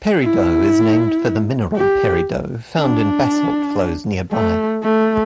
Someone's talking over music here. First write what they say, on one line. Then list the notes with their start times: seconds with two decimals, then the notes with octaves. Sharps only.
Peridot is named for the mineral peridot, found in basalt flows nearby.
0.23 E4
1.77 G4
2.79 D4
4.32 A3
4.83 A3